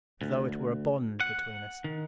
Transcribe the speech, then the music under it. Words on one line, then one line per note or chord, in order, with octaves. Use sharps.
As though it were a bond between us.
D2
F#5
D#3